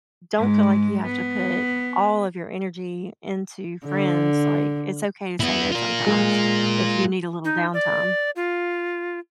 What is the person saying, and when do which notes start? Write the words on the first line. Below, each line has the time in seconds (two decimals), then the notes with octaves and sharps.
don't feel like you have to put all of your energy into friends, like, it's okay to say no sometimes if you need a little downtime.
0.36 G#2 G#3
1.06 B3
3.87 D3
5.40 B3 E4
5.72 F4 A#4
6.06 G#3
7.44 D#4
7.73 D5
8.36 F4